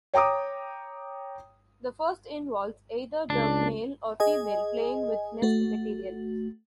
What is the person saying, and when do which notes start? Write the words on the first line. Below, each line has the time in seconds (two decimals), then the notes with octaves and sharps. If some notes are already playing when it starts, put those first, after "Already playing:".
The first involves either the male or female playing with nest-material.
0.14 C#5 G5 A#5 D6 D#6
3.30 C#2 D4
4.20 G#4 D#5 G#5
5.42 A3 F#4